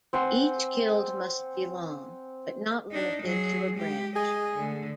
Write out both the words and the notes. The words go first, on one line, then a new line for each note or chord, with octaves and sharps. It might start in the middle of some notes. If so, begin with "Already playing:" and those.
Each guild must belong, but not limited, to a branch.
C4 F#5 G#5 C6
D4 D#4
F#3 G#4
G#3 G4
G#4 D#5
D3 A3